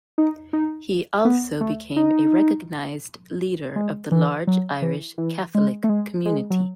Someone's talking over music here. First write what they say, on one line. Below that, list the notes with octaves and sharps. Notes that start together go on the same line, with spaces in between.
He also became a recognised leader of the large Irish Catholic community.
D#4
D#4
B3
A3
D#4
G#3
E3
F#3
E3
E3
G#3
A3
G#3
G#3
F#3